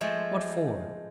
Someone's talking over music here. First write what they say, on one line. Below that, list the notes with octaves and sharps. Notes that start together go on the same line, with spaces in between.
"What for?"
F3 G#3 A3 C5